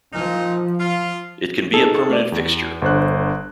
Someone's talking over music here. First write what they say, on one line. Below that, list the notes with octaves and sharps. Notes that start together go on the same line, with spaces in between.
It can be a permanent fixture.
A#2 F3 D#4
F4
D#4 G#4 A4 A5
A3 D5
E2
G1 D3 C5 F#6